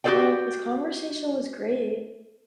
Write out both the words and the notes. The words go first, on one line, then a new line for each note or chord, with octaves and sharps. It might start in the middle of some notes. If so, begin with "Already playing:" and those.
Well, this conversation was great.
F#4 G4 A4 C5 D5 G5